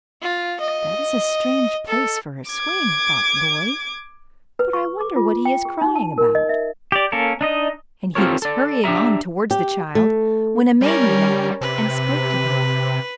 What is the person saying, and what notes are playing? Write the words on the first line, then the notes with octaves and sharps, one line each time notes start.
'That is a strange place for a swing,' thought the boy; 'but I wonder what he is crying about.' And he was hurrying on towards the child, when a maiden ran up and spoke to him.
F4
D#5
A4
D6 G#6
B4
C#6
D6
F4
G5
G#4
D#4
A5
A#4
D#5
E5
G4 D5
A#3 C#4 A4 A#4
D4 D#4 D#5
C4 F4 G4 A4 A#4 C#5
A4 D5
D4 G4 G#4 E5 A#5
G4
A3
G3 C#4 A#4
C3 B4